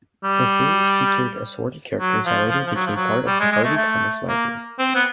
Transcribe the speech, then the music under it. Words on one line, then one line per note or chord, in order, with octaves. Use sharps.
The series featured assorted characters that later became part of the Harvey Comics library.
G3
F#3
F3
F3
F3
F#3
F3
F#3
G3
G#3
G#3
A3
A3
A#3
C4
B3